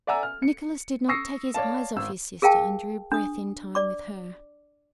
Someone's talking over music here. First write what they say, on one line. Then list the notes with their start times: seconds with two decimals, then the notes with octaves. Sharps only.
Nicholas did not take his eyes off his sister and drew breath in time with her.
0.07 D5 E5 F#5 G#5 A#5 E6
0.23 F6
0.42 C#7
1.08 C#6 D#6 E6 A#6 C7 C#7
1.54 C#5 D5 F5 A5
1.96 G#1 E6
2.42 G#4 A#4 F5 G5 A5
3.12 D4 D#6
3.75 D5 D6